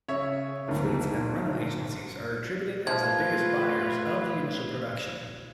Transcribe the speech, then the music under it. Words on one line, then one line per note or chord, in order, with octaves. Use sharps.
Fleets and rental agencies are attributed as the biggest buyers of the initial production.
C#3 C#5 E5
F#1 D2 G#2
F3 A3 F4 B4 G#6